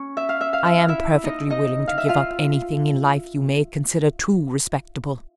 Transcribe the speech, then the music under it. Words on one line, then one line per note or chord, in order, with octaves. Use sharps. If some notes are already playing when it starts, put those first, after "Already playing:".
I am perfectly willing to give up anything in life you may consider too respectable.
Already playing: C#4 C#5
E5
F5
E5
F5
E5
F5
E4 E5
D#4 D#5
D#4 D#5
F5
E5
F4 F5